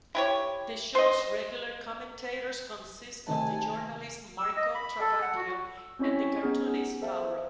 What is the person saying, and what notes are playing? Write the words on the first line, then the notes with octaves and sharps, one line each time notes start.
The show's regular commentators consist of the journalist Marco Travaglio and the cartoonist Vauro.
E4 G4 C#5
C5 D#5
C3 D#3 A3 G#5 A5
E6
D#5
B5
A4
F#5
F#4
E6
C4 C#4 E4 C#5 C#6 B6
B3 C#4 D#4 G#4 F6
G#4
A4 C5 E5 F5 A5
C5